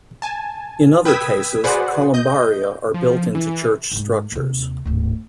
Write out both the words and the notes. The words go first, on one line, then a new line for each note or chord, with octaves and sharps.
In other cases, columbaria are built into church structures.
G#5 A5
B4 G5 D#6 E6 G#6 B6
F#4 G#4 B4 C5 D5 F#5
D#5 G6
F3
E3
G#2 G#3
D#2 C3
D1 G#1